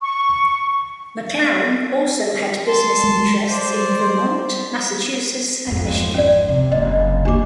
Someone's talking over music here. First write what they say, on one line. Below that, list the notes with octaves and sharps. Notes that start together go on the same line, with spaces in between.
MacLaren also had business interests in Vermont, Massachusetts and Michigan.
C#6
A5 C6
G#3
C5 D5
G#1 F2
C#4 D5
C3
F#1 D#5
D#2 A#3 D4 G4 D6